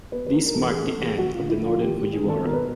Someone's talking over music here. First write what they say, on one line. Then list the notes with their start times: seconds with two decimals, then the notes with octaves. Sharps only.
This marked the end of the Northern Fujiwara.
0.12 B3 B4
0.26 B4
0.32 B3 A#4
0.46 A#4
0.54 A1 A4
0.70 A2 G#4
0.86 A4
0.97 A1
1.02 G#4
1.18 C#3 F#4
1.33 F4
1.39 D2
1.49 E4
1.60 F3
1.65 F4
1.81 G#1 G4
1.97 G4
2.03 G#3
2.13 G#4
2.24 G#1
2.29 A4
2.45 B2 A#4
2.53 B4